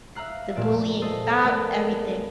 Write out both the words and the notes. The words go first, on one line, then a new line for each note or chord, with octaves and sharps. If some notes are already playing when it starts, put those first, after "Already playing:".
The bullying stopped, everything.
E5 F5 A#5 F#6 C7
F1 A#2 D5 E7
A4 C5 D#5
A3 B3 A4 A#4 D5